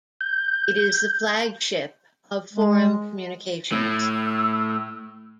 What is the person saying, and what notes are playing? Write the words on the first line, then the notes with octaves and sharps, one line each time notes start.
It is the flagship of Forum Communications.
G6
G#3
A2 E6